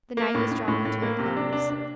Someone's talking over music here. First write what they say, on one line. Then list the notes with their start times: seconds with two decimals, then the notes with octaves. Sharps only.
The night was drawing to a close.
0.17 A#3
0.35 A2
0.52 A2
0.68 A2
0.85 A2
1.02 A#3
1.19 C3
1.37 D4
1.53 D4
1.70 D4